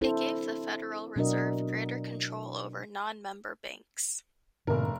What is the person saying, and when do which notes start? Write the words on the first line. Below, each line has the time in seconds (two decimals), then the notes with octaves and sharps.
It gave the Federal Reserve greater control over non-member banks.
0.01 C4 D4 E4 A4 C5
1.16 B2 F#3 D4 F#4 A#4 D#5
4.67 F1 G#2 B2 D3 A#4